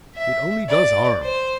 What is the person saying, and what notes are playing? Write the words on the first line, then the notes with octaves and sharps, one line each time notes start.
It only does harm.
E5
D5
C5